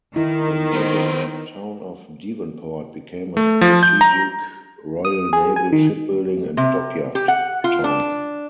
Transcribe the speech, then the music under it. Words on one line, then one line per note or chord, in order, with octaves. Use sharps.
The neighbouring town of Devonport became a strategic Royal Naval shipbuilding and dockyard town.
D#3 E4
B3 C5
A3
F3
G6
A#5
D#6
G#4
G#5
D#3
C3
G4
F#5
F4
D4